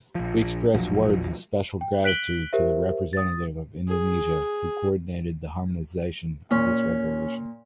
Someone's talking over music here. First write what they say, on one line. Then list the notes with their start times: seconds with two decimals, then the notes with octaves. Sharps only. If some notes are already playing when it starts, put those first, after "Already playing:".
We express words of special gratitude to the representative of Indonesia who coordinated the harmonization of this resolution.
0.15 A#1 F3
0.73 E1 A#1 F3 F#3
1.81 G5
2.04 F#6 B6 D7 F#7 G7
2.53 G4 A#4 C5 E5
3.13 D#6 A6
3.88 G#4
6.51 A#2 C#4